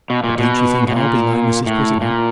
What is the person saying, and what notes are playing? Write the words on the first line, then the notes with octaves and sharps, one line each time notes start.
But don't you think I'll be like Mrs. Prettyman.
B2
A#2
B2
B2
A#2
A2
A#2